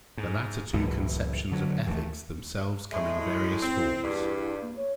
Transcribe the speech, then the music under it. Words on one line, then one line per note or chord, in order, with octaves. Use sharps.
The latter two conceptions of ethics themselves come in various forms.
G#2
F#1 C#2 A2 E3
D3 F#3
D#2 E3 G3 A3
A2 G#3 E5
E4
C4
E2 G2
A#3
C#5